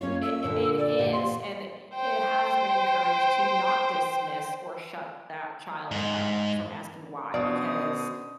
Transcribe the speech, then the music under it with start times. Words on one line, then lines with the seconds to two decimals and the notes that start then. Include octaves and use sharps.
It i it is, and i it has been encouraged to not dismiss or shut that child up from asking, "Why," because
0.01 A#3 C#4 F4 C#5
0.22 E6
0.44 A#2 D3
0.77 D5
0.99 A#2 G4 F#5
1.12 C6
1.94 C5 G5
5.91 G#2
7.34 B2 C#4 D4 C5 D5 F5 D#6